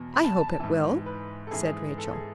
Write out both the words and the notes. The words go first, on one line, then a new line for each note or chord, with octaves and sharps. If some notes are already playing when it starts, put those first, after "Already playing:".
"I hope it will," said Rachel.
Already playing: E2 B2
B5
A5
A5
A5
G#2 E3
B4
A4
G#2 E3 G#4
A4
G#4